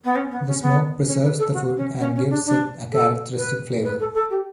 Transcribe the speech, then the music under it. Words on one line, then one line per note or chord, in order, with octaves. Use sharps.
The smoke preserves the food and gives it a characteristic flavor.
B3
C#4
B3
C#4
B3
C#4
B4
A4
F#4
C#4
C#4
C#4
D4
D4
A4
B4
B4
A4
A4
G4